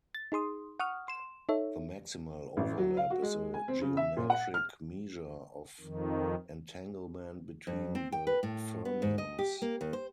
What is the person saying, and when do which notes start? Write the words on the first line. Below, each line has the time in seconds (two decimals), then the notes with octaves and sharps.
The maximal overlap is a geometric measure of entanglement between the fermions.
0.15 A6
0.32 D#4 G#4 C6 D#6
0.80 F#5 C#6 D#6 F6
1.08 C6 E7
1.49 D#4 A4 C#5 E5
2.57 A1
2.78 F#3
2.97 F5
3.10 F#4
3.22 G#3
3.54 G#5
3.68 C4
3.82 C#3
3.97 E5
4.17 A#2
4.30 F#5
4.54 F6
5.80 F2 D#3
7.67 F2
7.95 C4
8.12 G5
8.27 B4
8.43 A2
8.85 B3
9.02 G#2
9.18 D#5
9.39 G4
9.62 A#3
9.81 D#2
9.93 C5